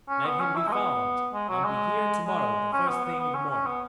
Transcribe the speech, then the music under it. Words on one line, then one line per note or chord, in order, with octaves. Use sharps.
"Let him be found, and be here to-morrow the first thing in the morning."
C#4
B3
C#4
E4
G#3
B3
G#3
F#3
G#3
G#3
C#4
B3
B3
B3
C#4
C#4
B3